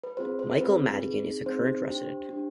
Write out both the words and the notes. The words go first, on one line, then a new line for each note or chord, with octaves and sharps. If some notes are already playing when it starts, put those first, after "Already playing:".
Michael Madigan is a Current resident.
B4
C4 F4 G#4 C5
C5
C4 F4 G#4 B4
C4 D#4 G#4
C4 D#4 G#4 C5
D4 G4
D4 G4